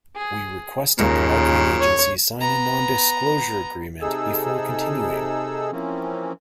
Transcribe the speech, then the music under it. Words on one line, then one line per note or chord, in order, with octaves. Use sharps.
We requested the marketing agency sign a non-disclosure agreement before continuing.
G#4
D#2 A#2 C#3
C#5
B3 A#5
C3 D#4 G#4 A4 E6
E3 F3 A#3 C4 C#4